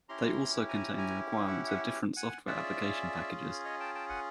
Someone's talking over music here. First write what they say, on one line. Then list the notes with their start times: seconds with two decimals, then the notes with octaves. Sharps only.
They also contain the requirements of different software application packages.
0.09 C#4 E4 G4 A#5 C6
0.68 G#5 A#5
0.98 G#5 A#5
1.47 E5 F#5
1.67 E5 F#5
2.17 F#5 G#5
2.47 C#4 F4 G#4 D5 E5
3.65 C#5 D#5
3.80 G5 A5
3.95 G5 A5
4.09 F#5 G#5